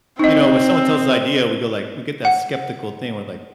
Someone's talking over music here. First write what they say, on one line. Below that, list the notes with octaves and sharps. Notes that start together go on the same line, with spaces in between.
you know, when someone tells us idea, we go, like we get that skeptical thing where, like,
C4 D#4 D#5
F#5